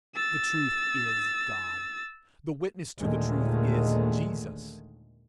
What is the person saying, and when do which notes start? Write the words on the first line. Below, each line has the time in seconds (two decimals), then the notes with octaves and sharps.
The truth is God; the witness to the truth is Jesus.
0.15 E6 A6
2.99 D#2 A#2 D3 D#3 G#3 A3